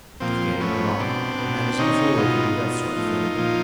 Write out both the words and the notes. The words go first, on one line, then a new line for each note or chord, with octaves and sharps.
Certificated or not, a man isn't a fool who can do that sort of thing.
A#2 F3 C4
A2 F3 B3 C#4
B2 C4 D4
B2
C3 D#3 C#4 D#4
B2 D#4 F4
B2
A2 F3
A#2 F3